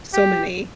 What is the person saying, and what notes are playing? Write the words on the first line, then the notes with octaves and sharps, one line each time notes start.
So many.
G4